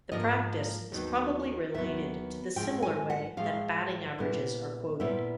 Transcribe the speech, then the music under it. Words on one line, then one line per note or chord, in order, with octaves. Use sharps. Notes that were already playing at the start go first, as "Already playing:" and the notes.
The practice is probably related to the similar way that batting averages are quoted.
G#2 F3 A#3 D#5
D#2 D#3 F#3 B3
D#2 D#3 F#3 B3 E5
A2 F3 G#3 G5
G#5
F#5
A2 F3 G#3 F5
A#2 G3 B3 E4
A#2 G3 B3 E4 E5